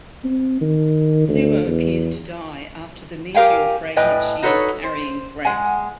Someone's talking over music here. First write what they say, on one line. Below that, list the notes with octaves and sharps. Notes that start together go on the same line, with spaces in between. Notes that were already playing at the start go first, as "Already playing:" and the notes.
Suo appears to die after the meteor fragment she is carrying breaks.
C4
D#3
D2
E2
G4 A#4 F5 G5 G#5
A2 B4 D#5 G5 G#5
D#4 F#4 A4 B4 C#5
C5
G#3 F#5 G#5